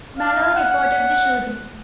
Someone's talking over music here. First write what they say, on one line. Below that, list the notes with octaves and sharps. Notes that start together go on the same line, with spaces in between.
Molloy reported the shooting.
F5
F#5